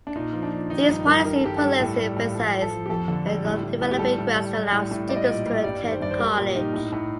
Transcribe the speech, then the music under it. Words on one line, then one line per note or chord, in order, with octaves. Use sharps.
These policies put less emphasis on developing grants to allow students to attend college.
D4
A#2 D#4
F3
D4
F3
D#3 D#4
G2 D#4
G3 A#4
D#3 A#4
A4
G2 G4
G3 A4
A2
G3
A2
F3 A4
F3
A4
F3
G4
F2 A4
D3
G3
A2
A2
A2
G4
G3 A4
A2
G3
G3
A2
A2
G3 D5
D#5
A#2 D5
G3
G2 D5
D#3
C5
G2 D5
C5
G3 A#4
A#2 G4
A#2 D#4
A2
A2